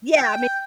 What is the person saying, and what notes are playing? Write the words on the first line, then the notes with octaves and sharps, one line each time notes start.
Yeah, I mean,
G5